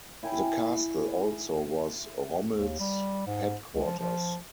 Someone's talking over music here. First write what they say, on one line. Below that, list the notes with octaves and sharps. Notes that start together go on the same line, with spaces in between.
The castle also was Rommel's headquarters.
E4 G5 G#5 B5
D#2
G3
G#2
C#2
F3
F3